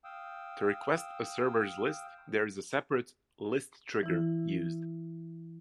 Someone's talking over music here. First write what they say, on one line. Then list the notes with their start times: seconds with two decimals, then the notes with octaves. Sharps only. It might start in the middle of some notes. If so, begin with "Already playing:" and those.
To request a server's list, there is a separate 'list trigger' used.
0.04 F5 G5 D#6 E6
4.03 E3 E4